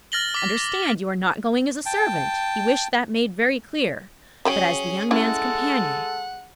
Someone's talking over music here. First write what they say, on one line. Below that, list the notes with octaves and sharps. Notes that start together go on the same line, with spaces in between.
Understand, you are not going as a servant--he wished that made very clear--but as the young man's companion.
F6 A6 A#6 F#7 G7
D6 B6
G5 A5
C#3 F#3 C#4 G#4 G5
G#3 C#4 E4 A4 F#5